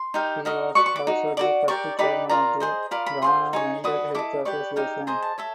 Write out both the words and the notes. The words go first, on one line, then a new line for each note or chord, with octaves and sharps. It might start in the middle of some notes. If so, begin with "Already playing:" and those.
He was also the first Chairman of the Ghana Mental Health Association.
Already playing: C6
D#4 G4 A#4
D#4 F#4 A#4 D#5
F#4 B4 D5 C#6
C#6
D6
D#4 F#4
F#4 A#4 D5 D6
G4 A#4 D5 C#6
D#4 G4 B4 D5 B5
F4 A#4 D5 A#5
G#4 C5 D#5
F4 A#4 D5 B5
B5
F4 G#4 C5 C6
D#4 G#4 C#5
F#4 B4 D5 D#6
E4 A4 D#5 D6
G4 B4 D5 C#6
D#4 G4 A#4
G#4 C5 D#5 A#5
A5
A4 C#5 E5